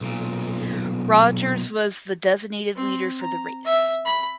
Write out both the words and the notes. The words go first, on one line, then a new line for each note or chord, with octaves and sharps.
Rogers was the designated leader for the race.
B1 A#2
C4
A#5
E5
B5